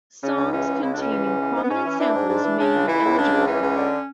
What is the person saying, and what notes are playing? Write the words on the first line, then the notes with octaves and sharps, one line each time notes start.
Songs containing prominent samples may be eligible.
C#3 C#4
C#2
E3 C#4
C#2
C#3 E4
C#2 D4
C#4
E3
C#2
E3
G#2
B3
G#2 C#4
E3
E3 D4
G#2
G#2
E3
C#3 D4
C#2
E3 E4
C#2
C#3 D4
C#2
E3 C#4
C#2
D3